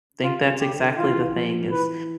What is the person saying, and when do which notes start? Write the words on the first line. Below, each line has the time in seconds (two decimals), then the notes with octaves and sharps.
think that's exactly the thing is,
0.23 C3 F4
0.61 D3 G4
0.98 E3 F4
1.35 F3
1.72 E3 B4